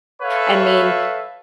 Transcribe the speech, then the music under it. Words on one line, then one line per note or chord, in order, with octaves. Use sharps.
I mean,
A4 B4 C#5 E5 F5